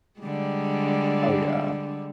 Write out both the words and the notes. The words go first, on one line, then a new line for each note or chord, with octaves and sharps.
Oh, yeah.
D3 G3 G#3